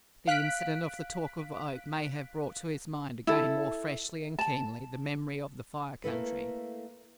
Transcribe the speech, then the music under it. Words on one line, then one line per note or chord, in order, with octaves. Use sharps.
The incident of the talk of Oak may have brought to his mind again more freshly and keenly the memory of the Fire Country.
F5 F#6 B6 D7
E4 A4
A5
A3 A#3 E4 A4 B4